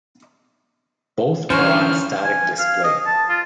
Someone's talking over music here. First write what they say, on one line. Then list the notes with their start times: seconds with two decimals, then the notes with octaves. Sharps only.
Both are on static display.
1.50 D3 E3 C#4 C5 C#5 A#5 F6
2.25 G#5
2.59 F5
2.84 D#5
3.06 A5
3.29 F4